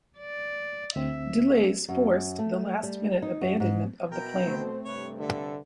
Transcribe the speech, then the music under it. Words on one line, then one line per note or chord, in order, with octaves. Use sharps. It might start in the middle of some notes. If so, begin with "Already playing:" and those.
Delays forced the last-minute abandonment of the plan.
D5
D2 C4 E5
F#2
A3
G3
D#4
F#2
G#2
B2 E4 A#4 G5 A#5
A3 C4 C5
G2 C3 B4 C#5
D3 A4 E5